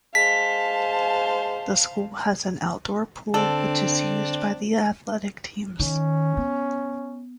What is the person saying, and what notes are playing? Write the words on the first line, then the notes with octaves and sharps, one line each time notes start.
The school has an outdoor pool which is used by the athletic teams.
G#3 C5 F5 A5 B6
D3 C4 D4 A4
D#3 C#4
B3